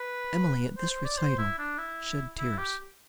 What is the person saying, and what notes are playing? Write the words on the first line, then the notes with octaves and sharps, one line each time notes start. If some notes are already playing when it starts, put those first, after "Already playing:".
Emily, at this recital, shed tears.
Already playing: B4
C5
C5
D5
C5
E4
D4
E4
E4
G4